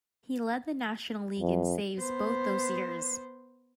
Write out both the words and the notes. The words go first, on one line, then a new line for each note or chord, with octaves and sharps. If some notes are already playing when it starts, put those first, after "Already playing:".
He led the National League in saves both those years.
F2
B3 C5